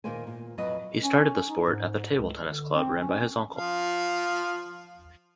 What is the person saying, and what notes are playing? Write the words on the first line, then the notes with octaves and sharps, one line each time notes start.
He started the sport at the table tennis club ran by his uncle.
A#2 D#3 A#3 C5 G#5
A#2
F2 F#3 F#4 B4 D#5
C#4
D#4
G#2
C#2
D3
C4
C#4
F3 F5